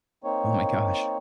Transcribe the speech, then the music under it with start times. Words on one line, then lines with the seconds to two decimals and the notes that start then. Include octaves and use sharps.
Oh my gosh.
0.24 A#3 C4 D#4 C#5